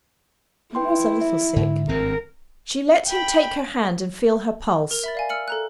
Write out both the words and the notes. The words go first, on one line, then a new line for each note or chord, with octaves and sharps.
I was a little sick.' She let him take her hand and feel her pulse.
E4 B4 G5 C6
E5
G#2 D3
G#1 G2 C4 A#4
G5 B5
A#4 F7
E5 B5 A6
D5 F5 G#5
E6 F6 C#7 F#7
A4 A#5 F#6